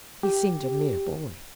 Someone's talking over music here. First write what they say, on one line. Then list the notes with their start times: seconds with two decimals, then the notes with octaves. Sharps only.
He seemed a mere boy.
0.23 G4